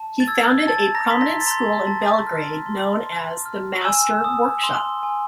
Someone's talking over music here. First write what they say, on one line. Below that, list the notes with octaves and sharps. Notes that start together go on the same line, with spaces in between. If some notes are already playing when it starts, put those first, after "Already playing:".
He founded a prominent school in Belgrade known as the "Master Workshop".
Already playing: A5
A6
E6 G#6
A5 A6
A#5 A#6
C6 B6
A#5 A#6
A6
A#5 C6 A#6
A5 A6
F6
C6
C6
F6
G#5 E6 E7
D#6
C6
G#5